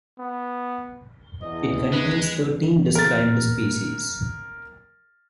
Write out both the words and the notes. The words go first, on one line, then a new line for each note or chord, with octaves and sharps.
It contains thirteen described species.
B3
E2 D#5
G#3 B4
A#4 A6